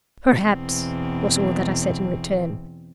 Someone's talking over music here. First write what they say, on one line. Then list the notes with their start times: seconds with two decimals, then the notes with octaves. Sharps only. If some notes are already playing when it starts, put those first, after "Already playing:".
"Perhaps!" was all that I said in return.
0.39 E2 B2 C4